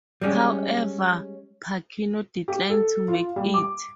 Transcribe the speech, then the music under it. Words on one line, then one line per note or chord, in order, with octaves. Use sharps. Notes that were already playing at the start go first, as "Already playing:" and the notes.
However Pacino declined to make it.
G3 G#3 C#4
G4
A4
F4
G3
D6